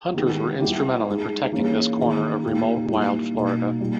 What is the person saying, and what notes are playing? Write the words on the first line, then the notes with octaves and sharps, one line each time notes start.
Hunters were instrumental in protecting this corner of remote, wild Florida.
D#3 G#3 B3 G4
G3 B3 E4 G4
G#3 D#4 G#4
E3 A#3 C#4 G#4
D#3 A#3 D#4 G#4
A#2 A#3 D#4 G4
G3 A#3 E4
B2 A#3 D#4
A#2 G3 A#3